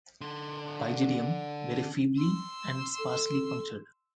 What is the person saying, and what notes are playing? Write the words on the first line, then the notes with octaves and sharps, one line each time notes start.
Pygidium very feebly and sparsely punctured.
D3 C6
C6 E6
A4